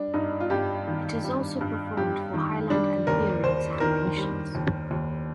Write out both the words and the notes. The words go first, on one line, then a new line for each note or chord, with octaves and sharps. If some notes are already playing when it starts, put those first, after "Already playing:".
It is also performed for Highland and Theory examinations.
Already playing: G3 D4
G2 D#4
F4
G2 G4
D#3
G3
G2
G2 G4
D#3
G3 D4
D#2 A#4
D#2 C5
D#3 A#4
G3
D#2
D#2